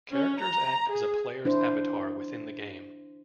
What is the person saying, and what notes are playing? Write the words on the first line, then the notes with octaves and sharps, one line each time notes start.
Characters act as a player's avatar within the game.
C#4
A#5
G#4
D4 E4 C5